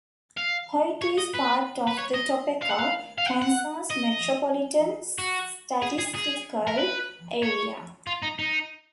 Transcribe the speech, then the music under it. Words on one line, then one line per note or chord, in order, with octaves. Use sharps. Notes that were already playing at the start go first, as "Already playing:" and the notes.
Hoyt is part of the Topeka, Kansas Metropolitan Statistical Area.
F5
C#5
D#5
B4
B4
C#5
D#5
F5
F#5
F5
F5
F#5
F#5
D#5
F#4
G#4
G#4
G#4
A#4
B4
C#5
F4
D#4
D#4